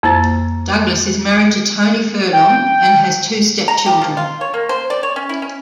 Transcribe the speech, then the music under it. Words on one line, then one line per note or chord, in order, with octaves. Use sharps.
Douglas is married to Tony Furlong and has two step children.
F2 A#3 E4 C5 A#5 A6
G5
A#5
G4
F3
F4
C#5
A#3
C5
D5
C#5
C#4
E4
C#4